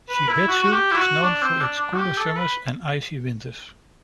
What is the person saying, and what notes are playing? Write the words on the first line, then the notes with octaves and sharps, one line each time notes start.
Shibetsu is known for its cooler summers and icy winters.
B4
E4
F#4
F#4
G4
E4
F#4
D4
C4
D4
D4
F#4
G4
A4
B4